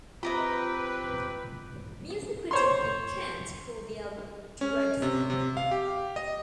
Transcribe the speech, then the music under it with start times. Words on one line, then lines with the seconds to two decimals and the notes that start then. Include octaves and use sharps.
Music critic Nick Kent called the album "dreadful".
0.23 C4 F4 G4 B4 D#5 G5 A#5 B5
2.51 C5 C#5 C6
4.61 C#4
5.02 C3
5.30 C3
5.57 F5
5.71 G4
6.16 D#5